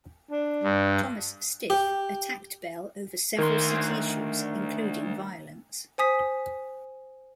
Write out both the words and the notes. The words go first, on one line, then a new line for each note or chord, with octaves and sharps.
Thomas Stith attacked Bell over several city issues including violence.
D4
G2
G4
D2 D#3 A#4 C6
C5 G#5 D#6 B6